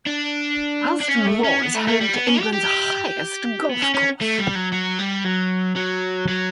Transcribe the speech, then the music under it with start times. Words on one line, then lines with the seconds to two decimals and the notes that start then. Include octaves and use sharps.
Alston Moor is home to England's highest golf course.
0.06 D4
1.01 D4
1.09 C#4
1.27 A3
1.44 C#4
1.62 B3
1.75 A3
1.88 A3
2.01 G3
2.14 B3
2.27 C#4
2.40 G4
2.53 G4
3.69 B3
3.82 C#4
3.95 C#4
4.21 A3
4.39 G3
4.55 F#3
4.72 F#3
4.99 G3
5.25 F#3
5.76 F#3
6.28 F#3